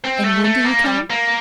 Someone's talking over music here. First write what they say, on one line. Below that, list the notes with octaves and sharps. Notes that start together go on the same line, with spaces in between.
"And when do you come?"
C4
A3
A3
A#3
G3
A#3